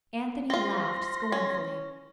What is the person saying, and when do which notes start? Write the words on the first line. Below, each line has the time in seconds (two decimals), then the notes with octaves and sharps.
Anthony laughed scornfully.
0.50 C4 F4 C6 A#6
1.32 C#4